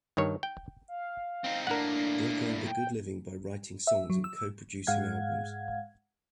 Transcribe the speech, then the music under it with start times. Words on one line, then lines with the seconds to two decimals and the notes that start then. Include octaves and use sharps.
Brook earned a good living by writing songs and co-producing albums.
0.17 G2 D#3 C#5
0.43 G5
0.88 F5
1.44 C4 D#4
1.67 A2 A#3 D4 A#4 F#5
2.66 G5
3.87 E5
4.10 F#3
4.24 E6
4.87 G#2 G#3 F5 F#5 G#6